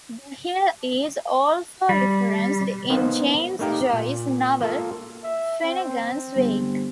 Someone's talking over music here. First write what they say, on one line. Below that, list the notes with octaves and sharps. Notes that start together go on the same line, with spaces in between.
The hill is also referenced in James Joyce's novel "Finnegans Wake".
G3
A#3 B3 D#4 C5
A3 A#3 D#4 G4 A#4
A#2
A#3 F4 A4
E5
C4
G1